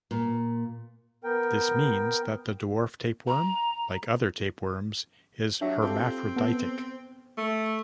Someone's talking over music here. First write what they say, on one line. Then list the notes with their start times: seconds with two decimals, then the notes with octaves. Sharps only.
This means that the dwarf tapeworm, like other tapeworms is hermaphroditic.
0.11 A#2
1.24 B3 A#4 G5
3.27 A#5
5.61 F#3 D4 G4 E5
5.82 C4 F4 G4 A4
6.36 B3 A4 E6
7.38 A3